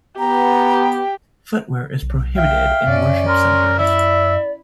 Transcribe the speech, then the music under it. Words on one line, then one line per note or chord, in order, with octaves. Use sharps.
Footwear is prohibited in worship centers.
B3 G4 A#5
B1
E5 F5 G5
F#2 C#4 D5
A#4 C6
E4 D5 E5